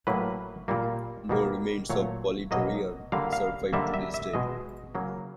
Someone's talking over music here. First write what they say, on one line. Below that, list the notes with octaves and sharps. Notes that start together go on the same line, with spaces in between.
No remains of Polydorion survive to this day.
A2 F#3 A#3 B4
A#2 G3 A#3
B2 G3 A#3
A#2 F#3 A3 C#5
B2 F#3 A#3 D#5
D3 G3 A#3 F5
F5
D3 G3 A#3 E5
E5
E5
B2 G#3 D#5
C#3 F#3 A#3